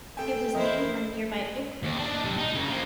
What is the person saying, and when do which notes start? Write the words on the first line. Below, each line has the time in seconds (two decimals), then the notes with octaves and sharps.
It was named from nearby Oak Creek.
0.17 C4 A4 G5 G#5
0.55 F2 E3 E4 A#4 C5 D#5
1.83 D#2
1.98 D4 D#4
2.24 D#2 C3
2.38 D#4
2.54 C#3 A#3
2.70 F3 A#3